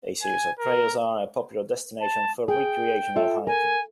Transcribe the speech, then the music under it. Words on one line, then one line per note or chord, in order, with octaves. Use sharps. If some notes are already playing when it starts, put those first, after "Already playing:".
A series of trails are a popular destination for recreational hiking.
G#5
A#4
A5
G#4 G5
F4 A4 E5
A#4 G#5